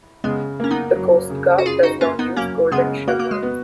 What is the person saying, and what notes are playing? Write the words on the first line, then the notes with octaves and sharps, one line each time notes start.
The Coast Guard does not use golden chevrons.
C#3 G#3 B3
A#3 C#4
B3 D#4
F#3
C#3
F#4
C#3 F4 G#4
D#4 F#4
A#3 C#4 F4
B3 D#4
F#3 A#3 C#4
C#3 G#3 B3
A#3 F#4
A#3
G#3
B3